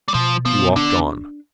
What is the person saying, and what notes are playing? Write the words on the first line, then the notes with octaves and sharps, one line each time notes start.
He walked on.
G3
B2 F3
F3 B3
D3 D4